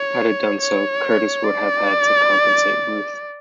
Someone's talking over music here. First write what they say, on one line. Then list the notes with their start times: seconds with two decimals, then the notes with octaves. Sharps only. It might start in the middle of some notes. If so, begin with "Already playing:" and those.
Had it done so, Curtiss would have had to compensate Ruth.
Already playing: C#5
0.61 C#5
1.44 D5